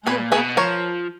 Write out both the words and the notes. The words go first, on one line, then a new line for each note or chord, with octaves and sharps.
Oh, gotcha.
A#2 G#4 B4
B2 G#4 B4
F3 A#4 C#5